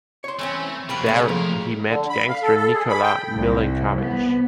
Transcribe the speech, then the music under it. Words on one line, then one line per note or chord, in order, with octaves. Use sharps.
There he met gangster Nikola Milinkovich.
C#5 C6
E3 A3 C4 C#4
B2 D3 A#3 G4 B4
C2 C#3 A#3 C#5
F3 A3 G4 A#4
D3
B5
F5
A4
A4
G#4
B5
G5
C2
B3